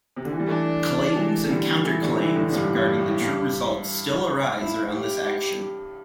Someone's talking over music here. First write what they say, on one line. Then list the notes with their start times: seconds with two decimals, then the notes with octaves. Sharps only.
Claims and counter-claims regarding the true results still arise around this action.
0.16 C3
0.25 D3
0.32 E3
0.40 G3
0.47 E3 A3 D4
1.16 C3 E3
1.44 A3
1.50 D3 G3
1.84 E3 A3 E4
2.01 D3 G3
2.18 C3 E3 E4
2.35 A2 D3
2.52 G2 C3 G4
2.75 G2
2.99 A2
3.21 G2
4.58 E4
4.92 G4